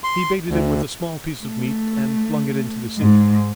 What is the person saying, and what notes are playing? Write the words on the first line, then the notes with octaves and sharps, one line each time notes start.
He baited it with a small piece of meat and flung it into the sea.
C6
D2
A3
G#2